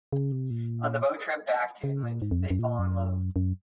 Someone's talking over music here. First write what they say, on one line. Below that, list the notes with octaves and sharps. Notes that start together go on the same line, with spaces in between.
On the boat trip back to England, they fall in love.
C#3
C3
A#2
C#3
A#2
G#2
F2
F#2
F#2
A#2
F#2
F#2